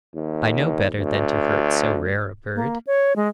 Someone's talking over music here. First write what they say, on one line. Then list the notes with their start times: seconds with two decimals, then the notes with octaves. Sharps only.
I know better than to hurt so rare a bird.
0.15 D#2
0.96 D2
2.55 A#3
2.87 C#5
3.16 G#3